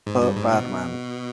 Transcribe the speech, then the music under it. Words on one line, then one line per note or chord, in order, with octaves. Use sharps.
Per Badman.
G#2
G2
G#2
B2